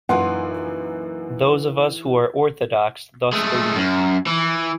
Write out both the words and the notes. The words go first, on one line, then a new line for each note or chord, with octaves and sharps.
Those of us who are orthodox thus believe.
F#2 A#2 E3 D#4 F4 F#5 C6
G#3 A3
F#2
E3